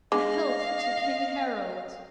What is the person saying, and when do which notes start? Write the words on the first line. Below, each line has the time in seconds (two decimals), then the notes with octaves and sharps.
"A health to King Harald!"
0.12 G#3 D4 D#5 F5 D6